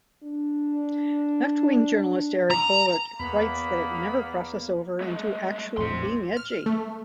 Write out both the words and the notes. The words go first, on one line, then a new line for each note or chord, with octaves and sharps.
Left-wing journalist Eric Boehlert writes that it never crosses over into actually being edgy.
D4
A#5
E2 A#3 B3 B5
G#3 A3
A#1 F2 A2 C3 C6
F6
A3